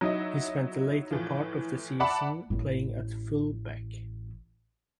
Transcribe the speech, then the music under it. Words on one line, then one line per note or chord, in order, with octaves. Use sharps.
He spent the later part of the season playing at full back.
F#3 D#4 E4 D#5
A2 E3 F3
D5 E5 F#5 A5 B5 D6
A1 E4